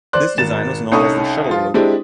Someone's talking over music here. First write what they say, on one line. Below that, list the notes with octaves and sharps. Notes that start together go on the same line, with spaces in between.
This design was known as the Shuttle Loop.
C5 D5 F#6
G#1 A6 E7
C2 C#4 D#4 A4 C#6 D#6
F3 F4
G#3 C4 D4 E4 G4